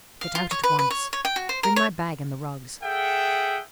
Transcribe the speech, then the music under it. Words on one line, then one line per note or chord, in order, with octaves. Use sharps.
Get out at once! Bring my bag and the rugs!
F5
F4
C#5
B4
B4
C#5
C#5
G5
F#4
C5
A#4
C#5
G#4 A4 E5 F#5 G5